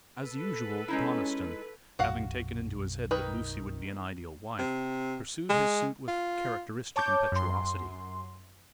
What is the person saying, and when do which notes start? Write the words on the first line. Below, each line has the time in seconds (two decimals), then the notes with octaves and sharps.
As usual, Conniston, having taken into his head that Lucy would be an ideal wife, pursued his suit with characteristic impetuosity.
0.20 A4 B4
0.88 G#3 C#4 D#4 E4
1.99 B1 F#2 F#4 F5 F#5
3.11 D#3 D#4 B4
4.59 C3
5.50 G#3
6.08 F4
6.96 C#5 A5 D6 G6
7.32 F#2 C6